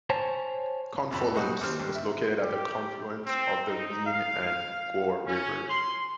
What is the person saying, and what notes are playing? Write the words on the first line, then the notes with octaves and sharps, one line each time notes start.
Confolens is located at the confluence of the Vienne and Goire rivers.
C5 C#5 G#5 A5
C2 F2 B5
A#2 G3 D#4 F#4
D#2 C5 F6
G2
E5
G4
C4
D#4
F5
C#4
C6